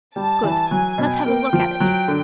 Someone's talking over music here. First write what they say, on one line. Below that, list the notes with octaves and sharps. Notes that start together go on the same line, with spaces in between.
"Good; let's have a look at it."
G3 A5
E3
F#3 G#5
B2
A#3 G5
F3
F#3
D3